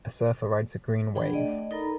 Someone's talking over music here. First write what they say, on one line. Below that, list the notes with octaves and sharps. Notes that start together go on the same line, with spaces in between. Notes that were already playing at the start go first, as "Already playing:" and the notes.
A surfer rides a green wave.
D4 G#4 F#5 G5 B5
A3 D5 D#5
D#4 A4 A#4 A#5 B5